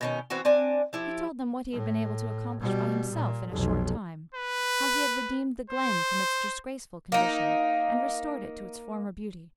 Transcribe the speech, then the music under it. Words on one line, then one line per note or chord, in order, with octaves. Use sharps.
He told them what he had been able to accomplish by himself, in a short time; how he had redeemed the glen from its disgraceful condition and restored it to its former beauty.
B2 D#3 C#4
E3 B3 C4 F#4
C4 D4 G#5
F3 E4 G4
A2
B2 G3
A#2
F1 B1
B4
C5
A#3 D#4